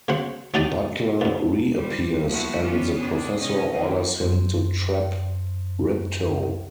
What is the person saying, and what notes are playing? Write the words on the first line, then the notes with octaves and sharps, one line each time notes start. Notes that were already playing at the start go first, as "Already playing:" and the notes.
Butler reappears, and the Professor orders him to trap Ripto.
C#3 F#3 C5 F#5
F#3 D4 D#4 G4 D5 D#5
F#2 A#2
G3 C5
F3 A#3 B3 E4 F#4 E5
G3 B3 C#4 D4 F4
D4 G#4 C5
C3 C#4 D#5
D#3 E3 C4
F#2 C5